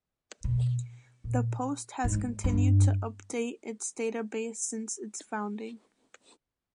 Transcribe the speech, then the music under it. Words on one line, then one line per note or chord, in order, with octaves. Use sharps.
The Post has continued to update its database since its founding.
B2
A#2
G#2
G2